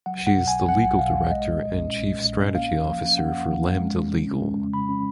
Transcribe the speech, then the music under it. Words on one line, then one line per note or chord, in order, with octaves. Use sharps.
She is the legal director and chief strategy officer for Lambda Legal.
F#3 F#5
B1 F#5
B2
G#5
B1
F#3 F#5
B1
B2 F5
B1
G#3 D#5
A#1
A#2
C#4
G#3
A#1
A#2
C#4
A#3 F5
F2
F3
C#4
A#3 F#5
F2
F3
C#4
G#3
F2
C#3
C#4
G#3
F2
C#3 B5
C#4